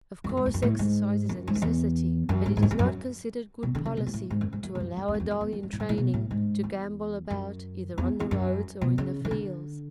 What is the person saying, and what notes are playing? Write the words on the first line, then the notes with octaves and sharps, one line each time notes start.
Of course exercise is a necessity, but it is not considered good policy to allow a dog in training to gambol about either on the roads or in the fields.
E2
F#2
G#2
E2
F#2
A2
G#2
F#2
G#2
F#2
E2
F#2
G#2
G#2
F#2
E2
F#2
B2
D3
C#3
B2
G#2
A2
G#2
F#2
G#2
F#2
G#2
F#2
F#2
E2
F#2
E2
F#2
E2
F#2
G#2
A2
G#2
A2
B2
A2
G#2
E2
F#2
E2
E2
F#2
B2
C#3
E3
D3